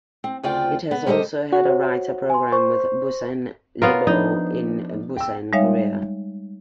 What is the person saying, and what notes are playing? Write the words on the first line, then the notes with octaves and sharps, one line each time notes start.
It has also had a writer program with Busan Ilbo in Busan, Korea.
C4
D2 C#3 C4 F4 D5 G5
B3
G3 G4 A4 C5 D#5
F#4
C5 C#5
G#5 C6
C5 C#6
B3 F4 A#4 C#5 F5 F#5
F3 D4 D#4
G5 E6
G3 G#3 D#4 C#5 E5 F5